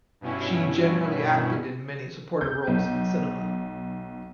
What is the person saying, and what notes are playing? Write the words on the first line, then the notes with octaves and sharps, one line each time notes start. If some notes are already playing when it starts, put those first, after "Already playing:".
She generally acted in many supportive roles in cinema.
G2 B2 C#4 E4
G6
B1